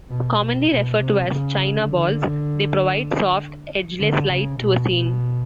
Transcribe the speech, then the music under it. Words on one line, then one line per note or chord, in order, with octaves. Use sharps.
Commonly referred to as "China balls", they provide soft, edgeless light to a scene.
B2
B2
B2
C3
C#3
D3
D3
C#3
B2
B2